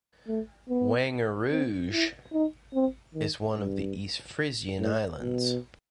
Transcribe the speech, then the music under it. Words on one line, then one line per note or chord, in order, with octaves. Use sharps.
Wangerooge is one of the East Frisian Islands.
A3
B3
C4
E4
D#4
C4
D#3
G2
A2
B2